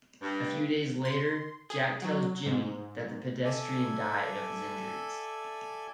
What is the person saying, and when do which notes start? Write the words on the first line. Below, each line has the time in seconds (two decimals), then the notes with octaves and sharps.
A few days later, Jack tells Jimmy that the pedestrian died of his injuries.
0.22 G2
1.05 C6
1.70 G#4
2.02 F#3
2.46 G#2
3.45 A4 D5 E5 G#5